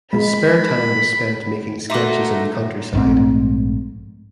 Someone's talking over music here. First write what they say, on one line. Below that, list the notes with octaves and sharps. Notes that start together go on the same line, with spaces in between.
His spare time was spent making sketches in the countryside.
G#3 B5
A3 D#4 F#4 E5 C6 D6
A#1 G#2 A3 C4